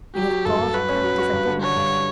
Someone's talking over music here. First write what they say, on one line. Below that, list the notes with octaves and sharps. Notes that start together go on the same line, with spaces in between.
You have bought a practice at Budmouth.
F#3 G4
F#3
G2 A4
G2
F#4 B4
C#4
F#3
F#4
G2
D3
D3 C#5
G2